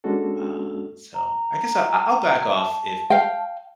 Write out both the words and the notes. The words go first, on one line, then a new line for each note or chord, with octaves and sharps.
um, so, I guess I I I'll back off if
G#3 A#3 C#4 D4 F#4 A4
A#5
A5
F5 G5